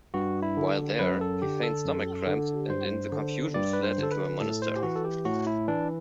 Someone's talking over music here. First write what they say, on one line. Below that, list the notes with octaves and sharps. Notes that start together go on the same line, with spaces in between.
While there, he feigned stomach cramps and in the confusion fled into a monastery.
G2 F#4
E4
D3
F#2 B4
A4
D3 G4
A4
F#2
D3
G2 C5
D3
G2 D5
B4
C5
D3
A4
B4
A2 A4
C5
G4
E3 F#4
A4
G4
A2 F#4
E4
E3 D4